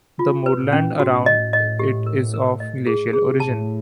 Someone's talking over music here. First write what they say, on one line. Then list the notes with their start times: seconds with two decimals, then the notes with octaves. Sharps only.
The moorland around it is of glacial origin.
0.19 F4
0.46 B4
0.59 A#2
0.73 C#4
0.99 A2 F#4
1.26 D#5
1.53 D#5
1.79 G4
2.06 A#4
2.34 A#4
2.60 D#5
2.87 G#4
3.13 G#4
3.40 A2 A5